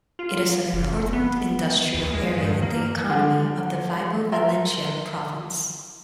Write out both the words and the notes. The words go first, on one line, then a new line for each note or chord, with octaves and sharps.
It is an important industrial area in the economy of the Vibo Valentia province.
F4
F#1
B3
D#2
G#3
G2
A#3
D3
A#4 E5 C6